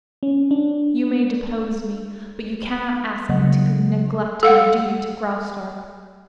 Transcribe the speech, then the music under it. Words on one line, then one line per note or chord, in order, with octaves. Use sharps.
You may depose me, but you cannot ask me to neglect my duty to Graustark.
C#4
D4
C#3 F#3 A#3 D#5 F#5
A4 F5 F#5